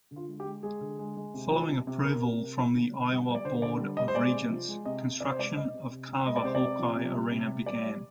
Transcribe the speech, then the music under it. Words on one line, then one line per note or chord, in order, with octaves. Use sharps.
Following approval from the Iowa Board of Regents, construction of Carver-Hawkeye Arena began.
D3
F4
G#3
G4
G#3
G#3 G#4
D3
G#3
G#3
C3
F3
C3
C3
C3 A#4
C3
C3
F3
D3
D3
G3
G3
D5
D3 C5
D3 D5
G3
G3 D#5
C5
G#3 D5
C3
F3
G#3
C3 D#5
C3
C3 D5
C5
G#3 D5
C3 D#5
C3
C3
C3
G#3 D#5
D5
C3 C5
D5
C3
F3
C3
G3
C3
G3
G3 D5
G3